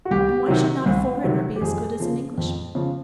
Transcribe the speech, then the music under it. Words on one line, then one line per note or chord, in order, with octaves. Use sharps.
And why should not a foreigner be as good as an Englishman?
F#4
C2 G4
C3 D#3 F#3
C2
C3 D#3 F#3
G4
F2 G#4
C#3 F3
F2
C#3 F3